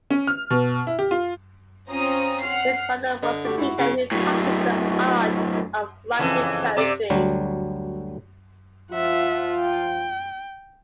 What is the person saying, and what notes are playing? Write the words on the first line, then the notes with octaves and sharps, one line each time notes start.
His father was the teacher who taught him the art of writing poetry.
C#4
F6
B2
E4
G4
F4
C4 C#4 F4 A#5 D#6
F#5 F6 C7
D3 D#5
A3 F#4 G4
G#2 E4 F#4
C#3
A2 F#3
F2 C#3 E3
C3 D5
D2 F#3 G3
F3 F4 E5 F#5
G5